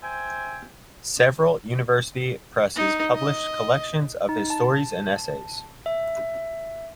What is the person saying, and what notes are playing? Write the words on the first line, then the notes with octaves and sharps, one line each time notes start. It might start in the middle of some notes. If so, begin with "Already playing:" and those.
Several university presses published collections of his stories and essays.
C5 E5 G5 G#5
D#4
D#5
D#4
A5
E5